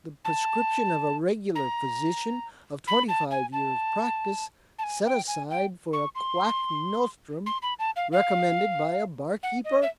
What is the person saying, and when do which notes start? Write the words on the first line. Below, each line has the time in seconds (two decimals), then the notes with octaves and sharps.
The prescription of a regular physician, of twenty-five years' practice, set aside for a quack nostrum, recommended by a bar-keeper!
0.25 A5
1.55 A#5
2.87 B5
3.09 A5
3.31 G#5
3.53 A5
4.79 A5
4.84 G#5
5.05 G5
5.28 G#5
5.50 G5
5.93 C#6
6.15 C6
7.46 C6
7.62 B5
7.79 A5
7.96 F5
8.12 F5
9.43 F#5
9.65 D#5
9.82 E5